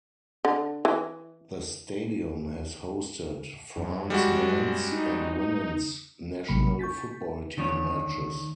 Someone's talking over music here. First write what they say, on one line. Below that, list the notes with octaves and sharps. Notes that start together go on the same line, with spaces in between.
The stadium has hosted France men's and women's national football team matches.
D3
E3
F#2
G3 G#3 F#4
F#2
D#4
A1 C3 F#3 A#3 B5 C#7
C#6 G6 A6 B6
D2 D#3 D4 C#5